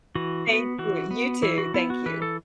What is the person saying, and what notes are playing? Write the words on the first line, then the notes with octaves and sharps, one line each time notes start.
Thank you. You too. Thank you.
E3 F#4
B3
E3 F#4
B3
E3 E4
F#4
B3 E4
F#4
E3 B4
A4